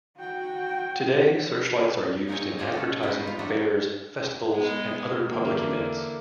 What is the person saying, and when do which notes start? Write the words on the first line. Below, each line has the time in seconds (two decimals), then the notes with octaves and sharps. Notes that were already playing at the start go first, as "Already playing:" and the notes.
Today, searchlights are used in advertising, fairs, festivals and other public events.
0.17 F#4 G5
2.28 A#2 C4 D#4 A#4 C#5 G#5
2.59 F4 G#4 A4 D5 D#5 F5
2.73 C#4 A4
3.03 B3 D#4 B4 C5 D#5
3.26 C3 F4
3.39 A2 F#3 D4 A4 D#5 E5
4.53 G#3 B3 D#5
5.26 D3 E3 A#3